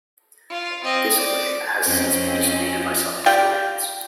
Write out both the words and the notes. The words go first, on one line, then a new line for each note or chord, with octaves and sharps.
This claim has since been disputed by some historians.
F4
C4 D#5
D5
F2 C4 C#4 D#5
F4 G4 D5 G5